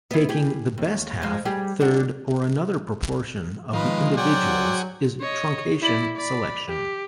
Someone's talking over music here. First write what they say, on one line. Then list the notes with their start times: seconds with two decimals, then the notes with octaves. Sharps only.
Taking the best half, third or another proportion of the individuals is truncation selection.
0.11 B3 E4
0.29 G4 G#4
0.78 D#2
1.22 F3 G#3
1.45 G3 G4 G#4
1.80 D4 F#4
3.73 D#3 F3 G#3 B4
4.17 F#3 F#4 G#4 C5 D5 G5
5.21 C#5 D#5
5.82 E4 D5
6.16 D5 B5
6.68 G4